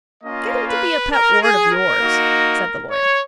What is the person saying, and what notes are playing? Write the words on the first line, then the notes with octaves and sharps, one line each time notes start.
"Getting to be a pet word of yours," said the Lawyer.
A#3 C#4 F4 D#5
B4
A#4
G#4
A#4
A#3 D#4 F#4
C#5